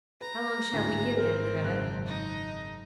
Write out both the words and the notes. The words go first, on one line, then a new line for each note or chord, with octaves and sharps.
"How long shall we give them, Kreta?"
B4 A#5
G#1 D2 A2
C4 A#4
F#1 F#6
D#4